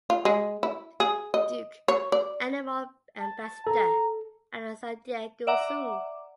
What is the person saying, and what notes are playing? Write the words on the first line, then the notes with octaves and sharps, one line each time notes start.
Duke; animal ambassador at the San Diego Zoo.
F4
G#3
E4
G#4
D#5
C#5
D5
A5
A4 A#5
D5 E5 F#5 A#5 D6